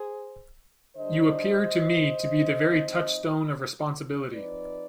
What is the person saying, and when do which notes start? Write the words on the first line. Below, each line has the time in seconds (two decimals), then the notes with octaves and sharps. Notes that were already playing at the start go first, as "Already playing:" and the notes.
You appear to me to be the very touchstone of responsibility.
Already playing: G#4 C5
0.96 D3 G3 D4 C5 D#5
2.65 F3 C4 D#4
4.32 F3 C4 D#4 B4 D5